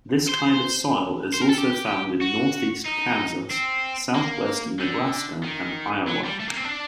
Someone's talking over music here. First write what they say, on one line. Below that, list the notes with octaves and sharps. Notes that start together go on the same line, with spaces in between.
This kind of soil is also found in northeast Kansas, southwest Nebraska, and Iowa.
C5
C5
A#4
A4
G4
F#4
D#4
C4
A#3
D3
D#3
F#3
G3
A3
A#3
C4
D4